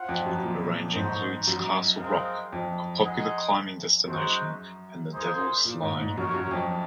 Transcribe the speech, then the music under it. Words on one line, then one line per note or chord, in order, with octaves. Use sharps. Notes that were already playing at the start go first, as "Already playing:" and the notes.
The range includes Castle Rock, a popular climbing destination, and the Devils Slide.
Already playing: F4 C5 F#5
F2
F#2
A#2
G#2 C#4 F#4 C5
F#2
G#3 C4 D#4 A#4 F5
F2
G#3 D#4 G#4 D#5 F#5
F#2 G#3 D#4 F#4 C5
A#3 D#4 G#4 C5
A#2
G#2
G#2
F#2 F#4 A#4 C#5
F#2
F2